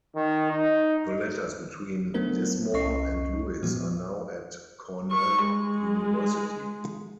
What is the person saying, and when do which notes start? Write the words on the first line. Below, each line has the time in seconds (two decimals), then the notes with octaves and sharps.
The letters between Dismorr and Lewis are now at Cornell University.
0.16 D#3
0.52 D#4
2.14 F#3 A3 B3 D4 A#4 C5
2.74 C2 C#4 D#5 C#6 C7
3.63 A#2 F3 G3 G#3 B3 F#4
5.12 C#6
5.45 G#3